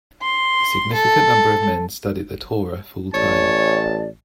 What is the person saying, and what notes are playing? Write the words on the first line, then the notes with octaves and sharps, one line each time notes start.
A significant number of men study the Torah full-time.
C6
A4
A1 C#5 D5 A5